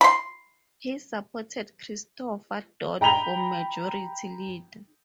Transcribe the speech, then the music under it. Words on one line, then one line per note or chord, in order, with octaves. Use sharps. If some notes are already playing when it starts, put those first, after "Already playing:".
He supported Christopher Dodd for majority leader.
B5 C6
G5 A#5 B5 F7 G7